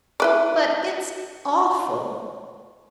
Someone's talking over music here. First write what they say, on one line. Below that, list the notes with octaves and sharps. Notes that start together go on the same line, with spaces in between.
"But, it's awful."
E4 B4 D5